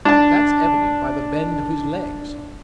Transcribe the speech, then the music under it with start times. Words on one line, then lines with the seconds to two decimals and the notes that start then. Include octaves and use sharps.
That's evident by the bend of his legs.
0.05 D4 A5